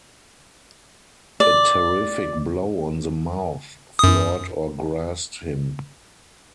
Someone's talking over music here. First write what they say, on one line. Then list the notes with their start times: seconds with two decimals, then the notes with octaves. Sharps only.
A terrific blow on the mouth floored or grassed him.
1.40 D5
3.99 F#2 D#6